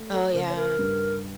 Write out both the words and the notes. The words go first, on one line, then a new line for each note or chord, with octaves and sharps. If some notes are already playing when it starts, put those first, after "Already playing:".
Oh, yeah.
Already playing: A3
A4
C#3 A#4
C#5
A#4
G2